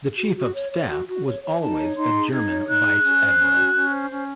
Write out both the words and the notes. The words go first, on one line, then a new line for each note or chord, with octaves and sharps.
The chief-of-staff was always a German Vice Admiral.
F#4
F#4
C#5
C#5
F#4
F#4
C#5
C#5
D#4 A5
C#5
D#4 C6
G#4
D#4 G#6
C#5
D#4 F#6
G#4
C#4
C5
C#4
F#4
C#4
C5
C#4